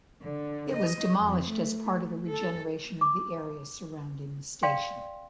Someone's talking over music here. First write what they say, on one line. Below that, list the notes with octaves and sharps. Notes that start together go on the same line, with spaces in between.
It was demolished as part of a regeneration of the area surrounding the station.
D3
D#5
F2
A3
A4
D6
D5 F5 G5 C6